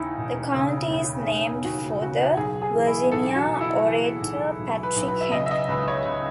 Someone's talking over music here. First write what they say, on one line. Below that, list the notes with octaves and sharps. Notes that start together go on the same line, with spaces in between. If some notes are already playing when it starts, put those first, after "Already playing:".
The county is named for the Virginia orator Patrick Henry.
Already playing: D#2 C#3 C#4 D#4 E4
E1
C#3
D#2
D#2
D#2 F#4
C#3 F#4
B1 G#4
G#4
E3
E4
B1 A4
F#4
B1
E4
E3
B1
B1
B4
B1
B4
E5
C#3 D#5
E5
D#5
C#2 B4
C#5
C#3 B4